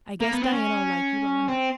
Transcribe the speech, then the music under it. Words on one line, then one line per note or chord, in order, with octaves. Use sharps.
I guess Diana'll like you well enough.
A#3
B3
C4
C#4
C4